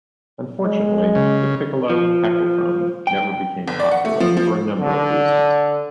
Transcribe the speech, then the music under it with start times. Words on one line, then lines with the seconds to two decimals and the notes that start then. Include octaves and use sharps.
Unfortunately, the piccolo heckelphone never became popular, for a number of reasons.
0.63 G#3
1.15 C#3
1.89 F3
3.07 G5
3.68 G1
3.80 D5
3.91 F#5
4.05 A3
4.20 F3
4.37 F3
4.80 D3